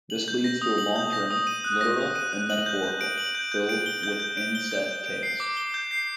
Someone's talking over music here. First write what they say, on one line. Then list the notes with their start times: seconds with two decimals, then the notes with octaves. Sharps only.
This leads to a long journey, literal and metaphorical, filled with in-set tales.
0.10 F#7
0.28 G6
0.44 A#6
0.62 D#6
0.78 F#7
0.96 G6
1.13 A#6
1.31 D#6
1.47 D#7
1.64 F#6
1.81 A#6
1.98 D#6
2.16 D#7
2.33 F#6
2.50 F#7
2.66 G6
2.84 G6
3.01 D7
3.18 F#7
3.35 G6
3.52 G6
3.69 D7
3.86 G7
4.03 G6
4.20 G6
4.37 D7
4.55 G7
4.71 G6
4.89 G6
5.06 D7
5.23 C7
5.40 D6
5.57 G7
5.74 G6
5.91 C7